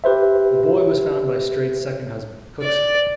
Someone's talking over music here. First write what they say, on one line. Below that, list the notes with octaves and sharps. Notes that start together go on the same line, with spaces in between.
The boy was found by Straight's second husband, Cookson.
G4 B4 C5 E5
D5